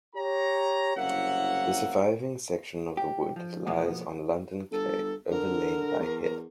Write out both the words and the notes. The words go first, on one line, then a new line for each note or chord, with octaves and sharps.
The surviving section of the wood lies on London Clay overlain by head.
G4 C#5 A#5
F#1 C2 A#3 C#4 E5 F#5
G4
F3
B2 F3 G#3 A#3 B3
G1 A4
D3 A#4
E2